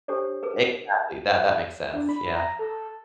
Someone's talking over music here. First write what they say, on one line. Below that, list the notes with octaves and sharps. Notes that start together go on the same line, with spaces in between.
Exactly, that that makes sense, yeah,
D4 G4 A4 C5 C#5
G#4 A#4 B4
D4
B5
A#5
A4